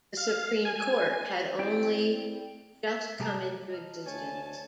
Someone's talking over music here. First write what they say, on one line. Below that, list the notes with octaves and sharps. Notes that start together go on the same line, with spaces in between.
The Supreme Court had only just come into existence.
F5
G#5
C4 E4 C5 D5 G5
E5
C3 G3 G4 G#4 A5 A#5
D#5 A5 F6
D2 C#5 G#5 A5